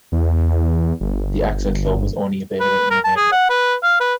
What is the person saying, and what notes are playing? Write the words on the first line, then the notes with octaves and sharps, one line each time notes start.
The Axel Club was only available in Romania.
E2
G1
B4
A#4
A5
G#4
F#5
B4
F5
B4